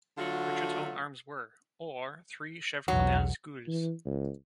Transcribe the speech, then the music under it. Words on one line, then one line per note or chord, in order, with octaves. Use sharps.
Richard's own arms were: Or, three chevronels gules.
D3 F#3 A3 F4 F#4
B1 E2 F#3
E3
C#2